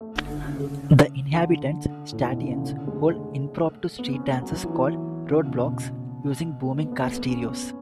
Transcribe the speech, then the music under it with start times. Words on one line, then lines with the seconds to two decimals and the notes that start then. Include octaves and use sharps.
The inhabitants, "Statians", hold impromptu street dances called "road blocks", using booming car stereos.
0.01 A3
0.16 D3
0.30 D3
0.44 C#3
1.33 D3
2.12 A2
2.22 B2
2.43 C#3
2.66 D3
2.87 G#3
3.09 A3
3.99 B3
4.13 C#4
4.28 A3
4.42 F#3
4.64 E3
5.31 C#3
5.45 B2
5.59 B2
6.63 A3
6.77 B3
6.92 B3
7.06 B3
7.29 C#4
7.51 B3